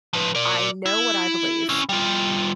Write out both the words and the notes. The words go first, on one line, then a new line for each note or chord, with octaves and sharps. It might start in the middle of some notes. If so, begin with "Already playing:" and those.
I know what I believe.
F3 B4
A#4 D5
E4
C#4 E4
G3 F4